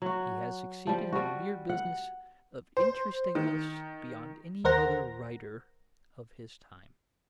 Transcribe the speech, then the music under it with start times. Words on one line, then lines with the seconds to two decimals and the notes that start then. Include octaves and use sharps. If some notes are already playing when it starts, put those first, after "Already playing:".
He has succeeded in the mere business of interesting us beyond any other writer of his time.
0.02 F#3 F#4
0.87 F3 G3
1.13 G3 F#4
1.69 F#5
2.77 C5
3.35 D#3
4.64 D#2 A#4 C5 F#5 A#6